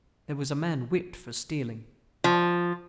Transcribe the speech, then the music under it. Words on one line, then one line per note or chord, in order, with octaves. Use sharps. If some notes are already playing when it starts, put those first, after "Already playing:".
Their was a man Whiped for Stealing.
F3